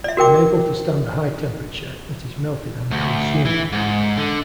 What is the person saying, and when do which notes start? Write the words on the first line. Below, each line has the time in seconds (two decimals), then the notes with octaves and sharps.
Unable to stand the high temperature it is melted and consumed.
0.04 D5 E5
0.17 F#4 A#4 G5 D6
2.91 D2
3.45 E3
3.72 G#2
4.17 D3